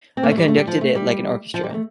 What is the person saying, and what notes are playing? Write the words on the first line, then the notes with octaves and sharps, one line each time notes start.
I conducted it like an orchestra.
C4
A#3
A3
G3
A3
G3
F3
A3
G3
F3
G3
A#3
A3